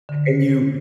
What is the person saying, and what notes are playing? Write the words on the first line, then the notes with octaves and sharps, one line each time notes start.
and you
D3